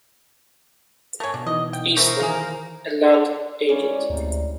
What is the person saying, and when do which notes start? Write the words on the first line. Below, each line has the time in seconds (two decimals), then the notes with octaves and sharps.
Easton, a land agent.
1.20 A3 A#4 C#5 G#5
1.34 B2 D4
1.47 E3 D#4 D#5
1.73 G5
1.96 E3 D#4 A#4 C5 E5 C#6
2.20 D#3 E3 D#4 G#4 F5 G#5 A#5
3.69 C#3 E3 G#3 C#4 D5
4.10 D2 C3 D#4